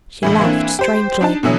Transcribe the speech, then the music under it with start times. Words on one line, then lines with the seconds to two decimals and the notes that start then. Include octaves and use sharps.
She laughed strangely.
0.23 D2 A2 E3
0.40 E3 A#3 C4 D4
0.79 G4 C5
1.21 D4 D#4 A5
1.43 B2 D3 E3 F#3